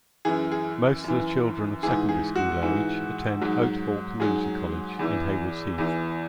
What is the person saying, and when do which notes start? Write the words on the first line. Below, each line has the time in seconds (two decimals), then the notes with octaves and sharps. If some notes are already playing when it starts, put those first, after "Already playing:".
Most of the children of secondary-school age attend Oathall Community College in Haywards Heath.
0.25 F#2 E3 G#4
0.52 G#4
1.04 F#2 E3
1.83 G#2 E3 G#4
2.09 G#4
2.36 F#4
2.62 G#2 E3
3.41 G#2 F#3
4.20 G#2 F#3 G#4
4.99 E2 E3
5.78 E2 E3